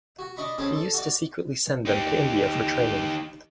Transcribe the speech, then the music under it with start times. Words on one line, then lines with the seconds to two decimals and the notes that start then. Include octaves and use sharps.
He used to secretly send them to India for training.
0.19 F#4
0.36 D4 D#5 B5 C#6
0.58 C4 C#4 G#4 A4 B5 D6
0.73 A4
0.94 F#4 D5
1.85 D#4 G4